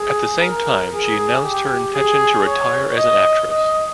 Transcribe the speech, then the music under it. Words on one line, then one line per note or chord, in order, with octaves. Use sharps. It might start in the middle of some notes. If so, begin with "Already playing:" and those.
At the same time she announced her intention to retire as an actress.
Already playing: G#4
A#4
G#4
G4
G#4
C#5
D#5
D#5